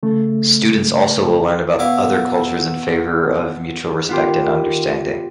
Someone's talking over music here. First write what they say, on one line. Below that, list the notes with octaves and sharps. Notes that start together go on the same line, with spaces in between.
Students also will learn about other cultures in favor of mutual respect and understanding.
C#3 A3
B2 E4 F5 D6
D#3 B3 F4 G4